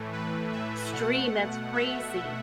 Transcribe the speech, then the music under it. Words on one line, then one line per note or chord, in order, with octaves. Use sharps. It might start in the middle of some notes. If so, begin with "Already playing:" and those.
stream, that's crazy.
Already playing: A2 E3 A3
B4
E5
B2 A3 F#5
E5